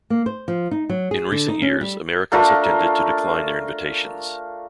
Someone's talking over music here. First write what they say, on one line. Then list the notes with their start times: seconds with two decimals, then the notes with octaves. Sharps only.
In recent years, Americans have tended to decline their invitations.
0.10 A#3
0.26 C5
0.48 F3
0.71 D#4
0.90 F#3
1.11 G#4
1.32 D3
1.48 D#4
1.62 C#4
1.81 G3
2.32 A3 D4 F4 A#4